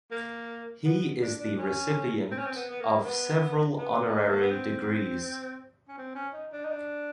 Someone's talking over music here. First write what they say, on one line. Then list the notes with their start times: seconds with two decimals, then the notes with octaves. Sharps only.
He is the recipient of several honorary degrees.
0.11 A#3
0.85 B3
1.21 D4
1.40 D4
1.58 C#4
2.31 C4
2.39 C#4
2.47 C4
2.56 B3
2.70 B3
2.80 A#3
3.04 B3
3.78 B3
4.07 G#3
4.19 A3
4.29 A#3
4.40 B3
4.51 C4
5.88 C#4
5.98 C4
6.15 C#4
6.33 D#4
6.52 D4
6.65 D#4
6.71 D4